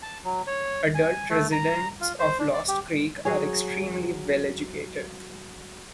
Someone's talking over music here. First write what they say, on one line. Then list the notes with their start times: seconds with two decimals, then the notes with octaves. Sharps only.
Adult residents of Lost Creek are extremely well educated.
0.03 A5
0.25 F#3
0.47 C#5
0.95 G#5
1.30 A3
1.52 A#5
2.01 F4
2.19 C5
2.39 D4
2.53 D5
2.68 G4
3.25 F#3 G#4 C#5 G#5